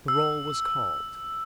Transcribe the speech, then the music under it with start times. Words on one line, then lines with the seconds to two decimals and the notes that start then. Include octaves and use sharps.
The roll was called.
0.08 E6